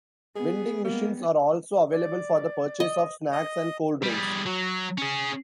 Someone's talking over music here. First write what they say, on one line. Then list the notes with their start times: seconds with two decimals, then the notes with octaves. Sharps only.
Vending machines are also available for the purchase of snacks and cold drinks.
0.36 B3 G#4
0.84 G3 G#3 A#3 B3
1.91 D5
2.80 D#5
3.32 D#5
4.03 G3 G#4
4.46 F#3
4.98 C#4 G#4